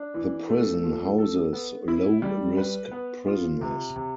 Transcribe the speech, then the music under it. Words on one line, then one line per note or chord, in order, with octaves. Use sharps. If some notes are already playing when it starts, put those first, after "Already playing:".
The prison houses low risk prisoners.
Already playing: D4
E3
A3
F3
A4
B3
E4
G3
B4
B3
F4
C3
C3